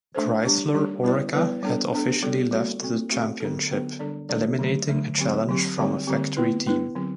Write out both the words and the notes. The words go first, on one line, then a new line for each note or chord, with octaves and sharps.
Chrysler-Oreca had officially left the championship, eliminating a challenge from a factory team.
A3 D4 A4 C5
G3 D4 G4
G3 D4 G4
G3 B3 E4 B4 D5
G3 B3 E4 B4 D5
G3 B3 D4 A4
G3 B3 D4 A4
G3 B3 F#4 A4 D5
G3 B3 F#4 A4 D5
A3 C4 F#4 A4
A3 C4 F#4 A4
D3 F#3 B3 F#4 A4
D3 F#3 B3 F#4 A4
D3 G3 D4 A4 D5
D3 G3 D4 A4 D5
D3 F#3 A3
D3 F#3 A3
D3 F#3 C4 G4
D3 F#3 C4 G4
D3 G3 C4 G4
D3 G3 C4 G4
B3 E4 B4
B3 E4 B4
D3 F#3 C4 G4